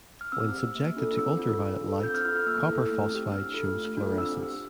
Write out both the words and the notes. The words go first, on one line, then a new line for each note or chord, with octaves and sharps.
When subjected to ultraviolet light, copper phosphide shows fluorescence.
F6
C4 E6
G4
A#3
D4 F4 A4
C4 E6
F4 A4
D4
F4 A4
C4 G6
F6
F4 A4 F6
F6
A#3 E6
E4 A4
A3
C4 G4
D4 F6
F4 A4
A3
D4 F4 A4
C4 E6
G4